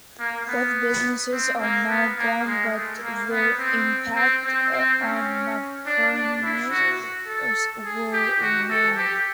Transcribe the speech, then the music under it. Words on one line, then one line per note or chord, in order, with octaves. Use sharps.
Both businesses are now gone, but their impact on Macquariums will remain.
A#3
B3
C4
A#3
B3
A#3
G#3
A3
A#3
B3
C4
C4
C4
C4
C#4
D4
D4
E4
F#4
A4
G#4
G4
F#4
A4
G4